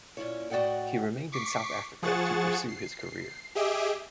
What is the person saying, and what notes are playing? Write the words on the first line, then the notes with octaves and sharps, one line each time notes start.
He remained in South Africa to pursue his career.
A#2 C#4 E4 C#5
A2 F#4 D5 D#5 F#5 G5
C#6 D6 B6 C7
F3 G#4 F#5 C#6 A6 E7
C7
G4 G#4 D#5 E5 D6